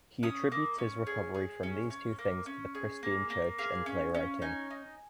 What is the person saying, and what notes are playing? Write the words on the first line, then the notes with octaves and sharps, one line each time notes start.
He attributes his recovery from these two things to the Christian church and playwriting.
C#4 D#6
A#3
C#4
G#4
G#4
C#4
C#4
A#3
C#4
G#4
A#3
A#3
G#4 F5
C#4
C#4
D#4 G#5
D#4